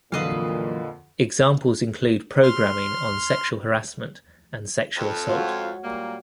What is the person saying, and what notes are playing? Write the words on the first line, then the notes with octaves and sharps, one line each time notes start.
Examples include programming on sexual harassment and sexual assault.
F2 A#2 D3 E3 F#3 B4 D#5 F5
C6 F6
F2
G#3 F4 F#4 C#5
A#2 G3 A#3